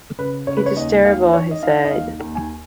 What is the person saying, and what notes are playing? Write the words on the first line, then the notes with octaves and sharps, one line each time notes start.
"It is terrible," he said.
C#3 B4
C#3 C#5
B4
C#5
D#2 D#5
D#3 F5
D#3 C#5
D#5
D#3 F5
D#5
D#2 F5
D#2
G#5